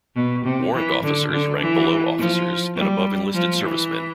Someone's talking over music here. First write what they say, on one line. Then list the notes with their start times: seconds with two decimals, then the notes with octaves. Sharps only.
Warrant officers rank below officers and above enlisted servicemen.
0.15 B2
0.44 C3
0.74 E3
1.02 D3
1.31 D3
1.61 E3
2.18 F3
2.75 G3
3.34 F3
3.62 E3